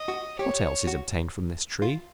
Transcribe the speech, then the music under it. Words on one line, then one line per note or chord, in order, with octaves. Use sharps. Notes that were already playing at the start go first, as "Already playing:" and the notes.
What else is obtained from this tree?
Already playing: D#5
F#4
G4 C#5
F#4
F4